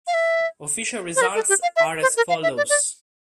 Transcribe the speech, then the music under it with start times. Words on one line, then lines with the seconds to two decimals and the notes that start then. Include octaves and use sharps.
Official results are as follows.
0.07 F5
0.14 E5
1.16 C5
1.21 A#4
1.35 A4
1.49 G4
1.62 F5
1.76 E5
2.02 C5
2.17 A#4
2.29 F5
2.43 E5
2.57 D5
2.70 D5